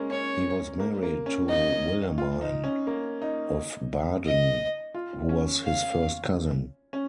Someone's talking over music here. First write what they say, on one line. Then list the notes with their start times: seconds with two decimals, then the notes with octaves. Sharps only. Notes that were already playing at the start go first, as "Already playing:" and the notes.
He was married to Wilhelmine of Baden who was his first cousin.
Already playing: G#3 A#3 C#4
0.11 C#4 C#5
0.80 A#3
1.03 A#3
1.26 C#4
1.49 D#4 D#5
2.18 F4
2.41 D#4
2.64 C#4
2.87 A#3
3.22 D#4
4.26 D#5
4.94 F4
5.29 C#4
5.63 F5
6.93 C#4